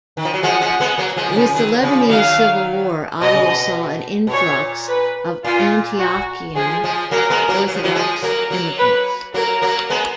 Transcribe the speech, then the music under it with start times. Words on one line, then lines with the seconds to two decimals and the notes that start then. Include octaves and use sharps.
With the Lebanese Civil War Ottawa saw an influx of Antiochian Orthodox immigrants.
0.17 D#3
0.25 F3
0.34 F#3
0.43 F3 G#3 F#5
0.61 F3 G#3
0.80 G#3 B3
0.98 F#3 A#3
1.16 F3 G#3
1.30 D#3
1.35 C#3 F3
1.54 D#3 F#3
1.82 C#3 F3
2.10 D#3 F#3 F5
3.21 B2 D#5
3.33 C#3
3.43 B2
4.27 B2
4.32 A#2 C#5
4.89 B4
5.44 A#2 F4
6.00 F#4
6.55 F3 G#3 G#4
6.84 F3 G#3
7.11 F#3 A#3 A#4
7.30 G#3 B3
7.49 F#3 A#3
7.67 F#3
7.75 F3
7.83 D#3 F#3
7.95 F3 G#3
8.22 F#3 A#3 A#4
8.51 F#3 A#3
8.78 B4
9.34 F#3 A#3 A#4
9.62 F#3 A#3
9.90 G#3 B3